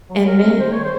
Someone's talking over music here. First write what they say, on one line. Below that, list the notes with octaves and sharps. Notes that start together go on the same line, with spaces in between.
And then
F#3
F#3 A#4
C4
D#3 C5
D#3 C#5
C5